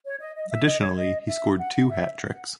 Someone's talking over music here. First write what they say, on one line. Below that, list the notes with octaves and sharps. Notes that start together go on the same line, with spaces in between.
Additionally, he scored two hat-tricks.
C#5
D#5
D#5
E5
D#5
C#5
D#5
E5
F#5
F#5
E5
F#5